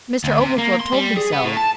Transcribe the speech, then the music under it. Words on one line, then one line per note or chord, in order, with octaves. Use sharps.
"Mr. Oglethorpe told me so."
D2
C3
A#3
C6
G3
G#4
B3
A2
A5